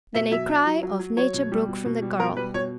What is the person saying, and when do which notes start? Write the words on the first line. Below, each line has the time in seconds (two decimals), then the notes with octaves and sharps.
Then a cry of nature broke from the girl.
0.15 B2 E5
0.31 F#3 E5
0.48 F#3
0.66 F#3
0.83 F#3
0.99 F#3
1.17 F#3 C#5
1.34 B2
1.52 G3
1.68 B2
1.86 B2
2.02 G3
2.20 B2 A#4
2.37 G3 B4
2.54 B2 C#5